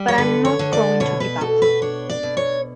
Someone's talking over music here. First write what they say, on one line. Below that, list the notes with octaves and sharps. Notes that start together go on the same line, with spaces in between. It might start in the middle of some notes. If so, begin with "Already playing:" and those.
But I'm not going to give up.
Already playing: G3
C#5
D3 B4
C#5
D3
D5
B2 C#5
B4
B2 A4
B4
D4 C#5
D5
B2
C#5